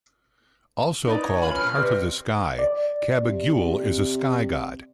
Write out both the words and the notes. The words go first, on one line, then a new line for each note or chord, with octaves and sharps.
Also called "Heart of the Sky," Cabaguil is a sky god.
D#4 B4 D5
C#5 A#5 C#6
C#4 F4 B4 B5
A#1 B2 F6
C3 G4 B4 D5
D5
C3
C3